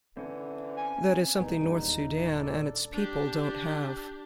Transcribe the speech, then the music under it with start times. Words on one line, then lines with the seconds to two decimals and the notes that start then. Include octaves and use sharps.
That is something North Sudan and its people don't have.
0.17 D3 E3 C4 C#4
0.77 G#5
1.40 C2 B3 D#4
1.61 E2 G2
1.78 D#1
2.40 D4 A4 D5
2.93 D4 G4